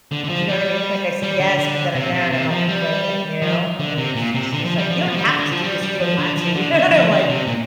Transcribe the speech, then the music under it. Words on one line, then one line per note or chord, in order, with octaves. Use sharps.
do you know what I mean? Like, I said, "Yes," but then I'm there, and I'm, like, complaining, you know, and it's it's just like, "You don't have to do this if you don't want to," you know, and I'm like,
D3
D3
F3
G3
G3
D3
D3
C3
C3
C3
F3
G3
F3
D3
C3
A#2
C3
D3
F3
G3
F3
D3
F3
G3
D3
D3
F3
G3
G3
F3
D3
F3
D3
D3
F3
D3
C3
A#2